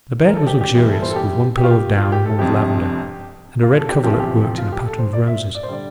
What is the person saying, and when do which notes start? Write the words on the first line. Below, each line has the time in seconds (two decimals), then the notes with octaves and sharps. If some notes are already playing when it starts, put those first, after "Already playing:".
The bed was luxurious, with one pillow of down and one of lavender, and a red coverlet worked in a pattern of roses.
0.25 A#4
0.34 A4
0.47 G4
0.61 G4
0.75 E2 E3 G3 G4
0.89 A4
1.02 C5
1.10 A4
1.16 G4
1.57 G4
1.63 F4
1.71 G4
1.97 F4
2.12 G4
2.26 A4
2.39 G1 F2 C3 G4
3.63 F4
3.77 A4
3.89 G4
4.04 E2 C3 F3 G4
4.12 F4
4.19 G4
4.44 G4
4.58 F4
4.72 G4
4.86 A4
4.99 C5
5.13 D5
5.27 E5
5.55 D5
5.63 C5
5.68 D3 G3 D5